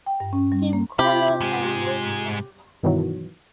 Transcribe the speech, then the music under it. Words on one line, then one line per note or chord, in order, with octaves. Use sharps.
The team's colors are blue and white.
G5
G2
C#4
G3
A#3
D#2 C3 F4 G4 B5
G#2 G#3
G2 B2 D#3 E3 F#3